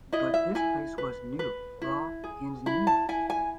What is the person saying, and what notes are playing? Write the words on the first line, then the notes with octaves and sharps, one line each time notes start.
But this place was new, raw and new.
E4 D#5
E5
E4 G#5
B4
B4
E4
G#4
E4 B5
A5
E4 G#5
G#5